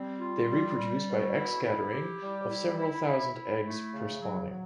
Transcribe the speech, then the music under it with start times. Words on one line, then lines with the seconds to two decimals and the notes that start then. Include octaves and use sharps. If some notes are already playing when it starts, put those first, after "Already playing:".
They reproduce by egg scattering of several thousand eggs per spawning.
Already playing: G3 C4
0.20 F4
0.49 G3
0.77 G3
1.06 B2
1.34 E4
1.63 E4
1.92 G4
2.21 G3
2.49 E4
2.78 E4
3.06 E4
3.34 E4
3.63 A3
3.91 C#3
4.19 F#3
4.49 F#3